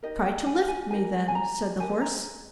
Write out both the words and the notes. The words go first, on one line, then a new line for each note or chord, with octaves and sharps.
'Try to lift me, then', said the Horse.
D#4 G4 A#4 D#5
G5
G#5
G#5
D#4 G4 A#4 G#5
G#5
A#5
D4 G4 A#4 G#5
A#5